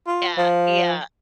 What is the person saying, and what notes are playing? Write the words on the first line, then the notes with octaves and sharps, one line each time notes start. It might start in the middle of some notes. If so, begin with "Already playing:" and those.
Yeah, yeah.
F4
F3